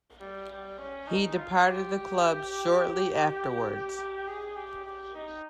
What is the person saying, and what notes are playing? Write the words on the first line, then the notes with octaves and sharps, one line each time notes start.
He departed the club shortly afterwards.
G3
G3
C#4
D#4
F4
G4
G#4
G4
G4
D#4